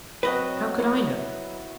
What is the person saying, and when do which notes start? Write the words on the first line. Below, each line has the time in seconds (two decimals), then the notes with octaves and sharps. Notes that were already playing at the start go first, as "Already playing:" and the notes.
How could I know?
0.23 B2 F#3 C4 F#4 B4 D#5
0.78 B3 E4 F#4